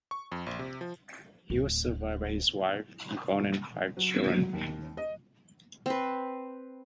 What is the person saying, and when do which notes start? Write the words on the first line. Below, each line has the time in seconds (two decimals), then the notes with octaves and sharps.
He was survived by his wife Yvonne and five children.
0.11 C#6
0.32 F2
0.46 A#1
0.59 C3
0.81 F3
1.50 D1
3.97 F#3
4.27 F#3
4.53 D#2
4.97 D#5
5.86 C4 B4